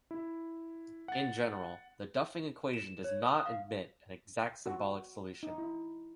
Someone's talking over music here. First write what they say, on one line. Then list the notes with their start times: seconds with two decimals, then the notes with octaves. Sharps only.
In general, the Duffing equation does not admit an exact symbolic solution.
0.11 E4
1.08 F#5 A6
2.74 E7
3.04 C#5
3.22 D#6
3.46 F5
4.66 F#4
5.43 D#4
5.58 E4